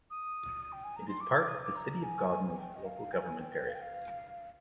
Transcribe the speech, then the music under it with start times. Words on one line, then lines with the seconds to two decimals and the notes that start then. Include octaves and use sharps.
It is part of the City of Gosnells local government area.
0.10 D#6
0.72 G5
0.84 G#5
0.96 A#5
1.08 C6
1.20 D6
1.34 D6
1.48 D#6
1.61 D6
1.75 A#5
2.03 G#5
2.30 G#5
2.58 G5
2.75 D#5
2.85 F5
3.13 G#5
3.40 G5
3.67 F5
3.75 G5
3.81 F5